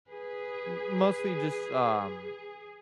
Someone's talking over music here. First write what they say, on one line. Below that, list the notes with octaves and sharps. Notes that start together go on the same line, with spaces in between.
m mostly just, um,
G#4 B4